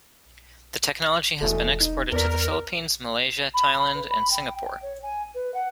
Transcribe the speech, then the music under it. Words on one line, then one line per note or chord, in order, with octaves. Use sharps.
The technology has been exported to the Philippines, Malaysia, Thailand and Singapore.
E1 E2 B2 A3
D#4
E2 B3 A#4 D5 B6
B5
B5
B4
B5
G5
G5
C#5
G#5
B4
F#5